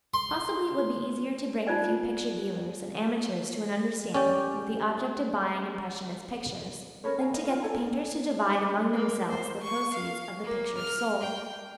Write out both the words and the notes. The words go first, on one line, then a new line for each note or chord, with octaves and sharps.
Possibly it would be easier to bring a few picture-dealers and amateurs to an understanding with the object of buying impressionist pictures, than to get the painters to divide among themselves the proceeds of the pictures sold.
C6
D#4 F4 C5 D5 G#5
C#4 G4 D5 G5
C#4 A#4 B4 C#5
E5 F#5 G#5 A#5
D#5 F5
F4
A4 G#5 A#5
A#3
C5
C#6
F5
A#3
F6
G5